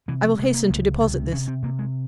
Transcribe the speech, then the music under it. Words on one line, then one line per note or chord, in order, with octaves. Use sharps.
I will hasten to deposit this.
C3 E3
F3
C3 G#3
A#3
C#2
C3
C3 C#4
C4
C3 A#3
G#3